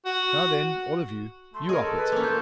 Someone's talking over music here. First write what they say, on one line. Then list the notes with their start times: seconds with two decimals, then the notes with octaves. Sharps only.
'Now then, all of you, you 'op it.
0.06 F#4
1.54 A3 C6
1.69 G#4 A#4 C#5 D#5
1.81 A4
1.97 B4
2.12 A#3 C#4
2.24 F4 G6